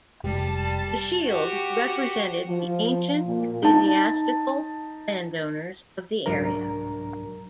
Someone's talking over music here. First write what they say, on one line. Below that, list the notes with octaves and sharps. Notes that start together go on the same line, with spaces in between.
The shield represented the ancient ecclesiastical landowners of the area.
F1 G3 G4 A5
F#4 G4
F3
A#2
D#4 A5
C2 G#2 F#3 D4 A#4 A#5